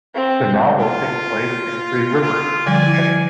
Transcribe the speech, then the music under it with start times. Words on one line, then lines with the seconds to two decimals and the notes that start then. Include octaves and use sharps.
The novel takes place in Three Rivers, Connecticut.
0.15 C4
0.79 F4
2.22 F4
2.66 D3 F3 G3 D5 G#5
2.86 E4